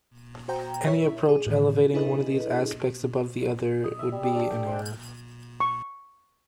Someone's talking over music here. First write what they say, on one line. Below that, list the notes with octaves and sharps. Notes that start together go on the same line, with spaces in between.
Any approach elevating one of these aspects above the other would be in error.
F#4 C5 G5 A#5
E4 A#4 C#5 E5
G#4
A2 D#3
D4 E4 G#4 A4 B4 D#5
D#5
E5
G3
G3
D4
G5
C5
C#6